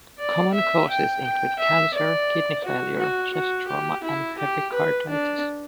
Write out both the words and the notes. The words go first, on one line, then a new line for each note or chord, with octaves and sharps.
Common causes include cancer, kidney failure, chest trauma, and pericarditis.
D5
E5
G5
G5
E5
D5
F#4
F#4
F#4
G4
E4
G4
B4
D4